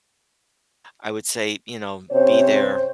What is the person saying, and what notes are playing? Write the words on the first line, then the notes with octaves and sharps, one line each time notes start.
I would say, you know, be there,
C3 C#4 C5 C#5